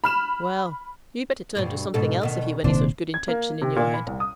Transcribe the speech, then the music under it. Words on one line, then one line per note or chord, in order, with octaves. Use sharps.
'Well! you'd better turn to something else, if you've any such good intention in your head.
B5 F6 E7
D2 G2 B2
G#2 B2 A4
D2 B2 D#3
D#1 D#2 C3 D4 C5
G#6
A#3
C3
A#2
B5
C2
D#6